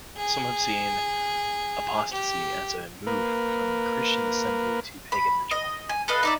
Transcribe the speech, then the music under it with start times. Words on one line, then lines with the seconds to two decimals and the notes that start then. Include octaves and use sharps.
Some have seen apostasy as a move from the Christian assembly to pagan ritual.
0.17 G#4
2.12 G4
3.07 A#3 A#4 B4
5.12 B5
5.51 D#5
5.89 G#5
6.08 A4 B4 D#5 F5
6.23 D#4 D5 E5